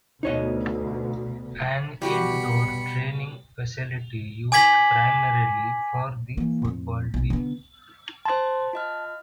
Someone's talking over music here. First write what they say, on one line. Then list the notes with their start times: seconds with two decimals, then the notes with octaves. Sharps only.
An indoor training facility used primarily for the football team.
0.23 D2 B2 D#4 C#5 D#5
2.02 B2 G3 F#4 G4 B5 C#7
4.52 G#5 D6 G#6 B6 F#7
6.37 E3 A#3
6.62 F2 A2
7.14 B1
7.30 D3 B3
8.25 C5 A5 C6
8.73 F4 D#5 F6